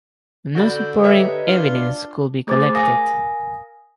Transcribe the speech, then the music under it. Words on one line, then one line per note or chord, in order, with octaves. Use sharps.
No supporting evidence could be collected.
D3 F#4 D5 B5 G6
G4 B4 C#5 D#5 E5
D4 F4
A3 G#4 C5 D6 G#6 A6
A#4 F5 G#5 D#6 A#6